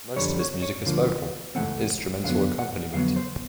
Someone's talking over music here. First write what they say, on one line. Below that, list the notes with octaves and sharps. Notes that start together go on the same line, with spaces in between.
Most of his music is vocal with instrumental accompaniment.
F2 D3 G3 C#5
C#5
C#5
D2 D3 F3 A#3
C#2 C3 E3 A3 C4 F#5
F2 D3 F#3 B3 F5
F#5
F2 D3 F#3 B3 F5
C5